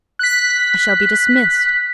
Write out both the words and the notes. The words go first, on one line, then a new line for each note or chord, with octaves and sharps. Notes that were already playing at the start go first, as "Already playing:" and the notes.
I shall be dismissed.
F#6 B6